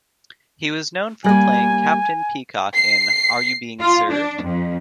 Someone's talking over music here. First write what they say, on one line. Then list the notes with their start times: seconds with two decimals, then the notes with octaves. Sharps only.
He was known for playing Captain Peacock in Are You Being Served?
1.24 G3 A#3 G#5
2.74 C7
3.80 F4
4.10 D4
4.43 F2